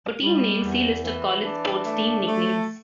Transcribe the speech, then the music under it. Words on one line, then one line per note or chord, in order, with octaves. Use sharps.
For team names, see List of college sports team nicknames.
G3
E2
E3
D4
A3
A3